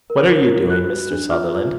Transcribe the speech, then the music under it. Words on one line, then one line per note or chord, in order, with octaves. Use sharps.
"What are you doing, Mr. Sutherland?"
A#4
A#4
F4
F#4 F#6
F#4
D4
F4 F6
F4